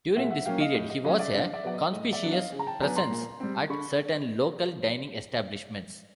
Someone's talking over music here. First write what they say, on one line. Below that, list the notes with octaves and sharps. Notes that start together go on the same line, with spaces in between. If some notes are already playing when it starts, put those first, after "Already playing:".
During this period, he was a conspicuous presence at certain local dining establishments.
A#2 E5 F#5
E5 F#5
F#3 A#3 C#4 F5 G5
D#5 F5
A2 D#5
D#5
F#3 A3 C#4 D#5 F5
D5 E5
D3 D#5 F5
D5 E5
F#3 B3 D5
D#5
A2 D#5
D5 E5
F#3 B3 D4
D#5 F5
C#3
A#5
G5 A5
F#3 B3 D4 G#5 A#5
A#5 C6
A#2
G3 C4
D3 B5 C#6